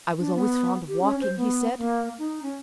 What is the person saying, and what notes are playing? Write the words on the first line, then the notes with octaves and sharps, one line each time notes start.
"I was always fond of walking," he said.
D4
B3
G4
C#4
C5
B3
A#3
D#4
C#4